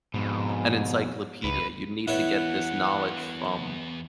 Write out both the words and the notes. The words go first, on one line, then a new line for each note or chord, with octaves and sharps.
an encyclopedia you'd need to get this knowledge from,
F2 G#2 B2
C#2 B4
E2 B3 E4 B4 C#5 F#5